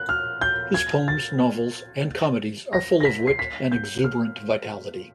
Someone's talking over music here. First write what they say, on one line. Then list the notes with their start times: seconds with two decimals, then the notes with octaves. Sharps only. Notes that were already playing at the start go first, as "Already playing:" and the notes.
His poems, novels and comedies are full of wit and exuberant vitality.
Already playing: F#6
0.09 F6
0.41 G6
0.74 G#6
1.08 A6
2.73 A#6
3.00 A#6
3.05 B6
3.27 C7
3.39 B6
3.72 G6
4.04 F6